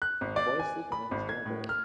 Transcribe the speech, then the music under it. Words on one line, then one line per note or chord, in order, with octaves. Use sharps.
A boy is sleeping in his dinner bowl.
F#6
G#1
D5
G#5
B5
G#1
G#6
A2
F6